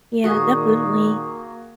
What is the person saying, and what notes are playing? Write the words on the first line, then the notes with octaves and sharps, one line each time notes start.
Yeah, definitely.
A#2 D#3 A#3 F#4 G#4 C#6 D#6